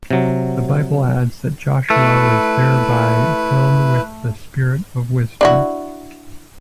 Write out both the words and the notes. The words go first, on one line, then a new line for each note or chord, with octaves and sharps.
The Bible adds that Joshua was thereby "filled with the spirit of wisdom".
C3 F#3
A3 E4 B4
D4 E4 F#4